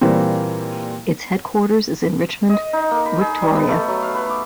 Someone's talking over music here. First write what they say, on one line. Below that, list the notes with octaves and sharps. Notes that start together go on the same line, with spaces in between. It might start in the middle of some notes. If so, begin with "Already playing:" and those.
Its headquarters is in Richmond, Victoria.
A#2 E3 G3 A#3 C4
D#5
D#4
A#3
B5
G#4
G3
B3
A3
F#3
F5
B4
D6